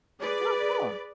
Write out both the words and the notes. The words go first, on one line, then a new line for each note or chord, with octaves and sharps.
Oh, cool.
G#4 B4 D5